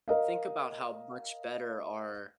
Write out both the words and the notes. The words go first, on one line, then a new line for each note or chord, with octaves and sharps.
Think about how much better our
A#4 D#5 F5